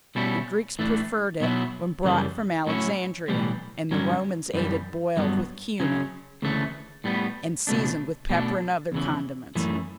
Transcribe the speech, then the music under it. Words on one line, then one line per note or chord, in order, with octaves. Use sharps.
The Greeks preferred it when brought from Alexandria, and the Romans ate it boiled with cumin, and seasoned with pepper and other condiments.
B2 G3 C#4 E4
A2 E3 A3 D4
B1 B2 F#3 B3 E4
F#2 C#3 E3 G3
A2 F#3 C#4 E4
B1 A2 E3 G3
G2 D3 F#3 C#4
F#2 E3 G3
G2 F#3 B3
C#3 F#3 C#4
D2 C#3 E3 A3
A2 G3 B3
C#2 B2 A3 D4
B2 A3 D4
E2 C#3 E3
F#2 E3 A3